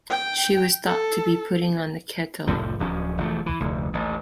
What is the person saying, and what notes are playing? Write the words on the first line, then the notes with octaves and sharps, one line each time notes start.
She was thought to be putting on the kettle.
G5
A4
F1 C2 A2 F3
D1 F3 C#4
E1 E3 F3 A3
E3
F1 D2
A1 D#2